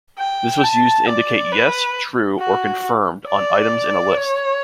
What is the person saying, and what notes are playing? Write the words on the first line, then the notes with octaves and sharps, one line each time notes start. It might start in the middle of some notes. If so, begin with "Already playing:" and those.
This was used to indicate yes, true, or confirmed on items in a list.
G5
A5
D5
B4
F#4
D5
C#5